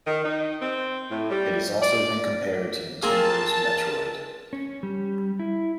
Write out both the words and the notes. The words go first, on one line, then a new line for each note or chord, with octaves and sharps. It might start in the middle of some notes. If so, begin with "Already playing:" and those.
It has also been compared to Nintendo's "Metroid".
D#3
D#4
C4
A2
G3
D5
A#3 C4 G#4 A#4 A5
C#4
G3
E4